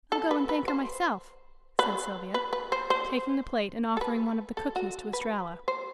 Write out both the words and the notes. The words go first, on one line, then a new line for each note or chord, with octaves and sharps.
"I'll go and thank her myself," said Sylvia, taking the plate, and offering one of the cookies to Estralla.
A4
B4
B4
C5
B4
B4
B4
C5
C5
A4
B4
A4
F#4
B4
C5